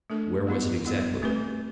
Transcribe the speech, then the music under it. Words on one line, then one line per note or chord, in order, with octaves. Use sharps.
"Where was it, exactly?"
A3 D4 A4
G3 B3 E4
G3 B3 E4
A3 C4 G4 B4